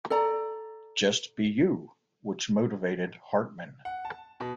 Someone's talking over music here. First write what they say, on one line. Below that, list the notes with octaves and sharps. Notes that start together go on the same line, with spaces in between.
Just be you which motivated Hartman.
A4 D5 A#5
F#5
A5
B2